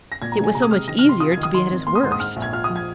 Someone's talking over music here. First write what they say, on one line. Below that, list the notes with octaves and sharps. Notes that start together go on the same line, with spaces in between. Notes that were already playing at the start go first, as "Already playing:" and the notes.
It was so much easier to be at his worst.
A#6
A#2 G#6
A#5
G#3
G#5
C3 A#5
D#6
G#3 F6
D#3 A#6
F6
C3
C6
F4 D#6
G#6
D#3
D#6
D#3 C6
G#1
A#3 C6
D#6
G#2 C6
D#6
G#2 F6
A#1
G#6
F4 F6
D#6
F3
G#6